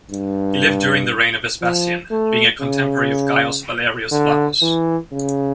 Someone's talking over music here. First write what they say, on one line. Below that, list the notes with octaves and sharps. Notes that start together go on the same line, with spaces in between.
He lived during the reign of Vespasian, being a contemporary of Gaius Valerius Flaccus.
G2
F3
A3
C#3
D3
E3
C#3